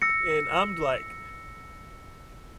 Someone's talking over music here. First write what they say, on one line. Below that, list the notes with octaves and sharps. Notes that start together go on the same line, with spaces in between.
and I'm like,
E6 A#6 C#7